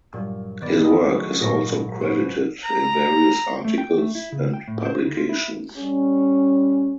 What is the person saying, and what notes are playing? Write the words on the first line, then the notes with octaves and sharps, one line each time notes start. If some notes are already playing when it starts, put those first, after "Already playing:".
His work is also credited in various articles and publications.
G2 A#2 F#3
D#3 B3 D5 A6
G#4 A4 B4 D#5
F#3 A3 F#4 G4 C#5
G#1 A#2 C#6 A#6 C#7
C#4 F#4 B4 C5
A#5
A3
G5
A3
E4
C#3
G5
A2
C5
D2
F4
E4
G3 C#4